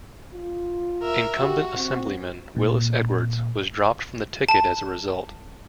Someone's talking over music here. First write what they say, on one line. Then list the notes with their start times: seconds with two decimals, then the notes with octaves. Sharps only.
Incumbent Assemblyman Willis Edwards was dropped from the ticket as a result.
0.33 F4
1.02 A#4 E5
1.40 F#4 G4
1.76 C4
2.56 A#2
4.49 A5